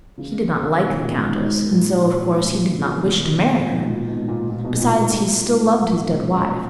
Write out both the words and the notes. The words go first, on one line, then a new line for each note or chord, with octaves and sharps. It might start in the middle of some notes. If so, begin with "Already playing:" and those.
He did not like the countess, and so, of course, he did not wish to marry her; besides, he still loved his dead wife.
C#3 E3
B2 D#3
A#2 C#3
G#2 B2
G#2 B2
G#2
A#2
A#2
G#2
A#2
A#2
A#2 C#3
B2 D#3
B2 D#3
B2 D#3
A#2
G#2 B2
A#2
G#2 B2
A#2
A#2
G#2 B2
A#2
G#2
A#2
G#2
A#2
G#2 B2
A#2 C#3